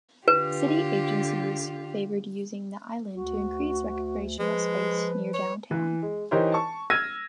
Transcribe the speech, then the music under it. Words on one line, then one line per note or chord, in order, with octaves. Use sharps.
City agencies favored using the island to increase recreational space near Downtown.
D3 F4 G4 B4
D2 F#4
F3 G#3 B4
C#5
E3
G#3
E3 D#4 G4 A#4 C5 C#5
A5 C#6
E6 F6 G#6 A#6 D#7